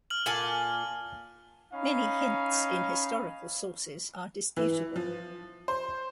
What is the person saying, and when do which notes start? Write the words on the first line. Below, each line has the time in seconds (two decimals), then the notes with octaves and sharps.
Many hints in historical sources are disputable.
0.10 F6 F#7
0.26 A#2 G#5 A5
1.73 C#4 D#4 F5 B5
4.57 E3
4.96 F3
5.68 C5